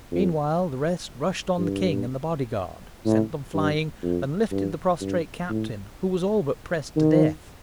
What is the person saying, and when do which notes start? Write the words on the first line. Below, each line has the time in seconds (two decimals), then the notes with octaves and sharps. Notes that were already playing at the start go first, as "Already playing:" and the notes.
Meanwhile the rest rushed on the king and the bodyguard, sent them flying, and lifted the prostrate captain, who was all but pressed to death.
0.12 F2
1.58 G2
3.05 A2
3.54 G2
4.03 F2
4.52 G2
5.01 G2
5.50 A2
6.96 D#3